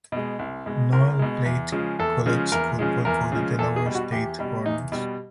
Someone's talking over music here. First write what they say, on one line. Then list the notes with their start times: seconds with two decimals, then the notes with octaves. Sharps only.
Noel played college football for the Delaware State Hornets.
0.12 B2 G#3
0.39 C2
0.66 B2 G#3
0.92 C2 A#4
1.19 B2 G#3
1.45 E2
1.72 C#3 F3 G#3
1.99 E2 A4
2.26 C#3 F3 G#3
2.52 E2 A#4
2.79 C#3 F3 G#3
3.05 E2 A#4
3.32 C#3 F3 G#3
3.59 E2 A4
3.76 G#4
3.86 B2 G3
3.95 F#4
4.12 E2 G4
4.39 B2 G3
4.66 E2 D#4
4.92 B2 G3